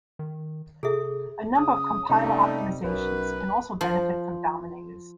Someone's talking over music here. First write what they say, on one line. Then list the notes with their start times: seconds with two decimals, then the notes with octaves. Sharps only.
A number of compiler optimizations can also benefit from dominators.
0.19 D#3
0.83 C3 G#4 A4 E5
1.57 C#3 D#6
2.10 C3 G3 A3 C#4 D#4
2.84 B1 F#2 A#4 B4
3.81 F3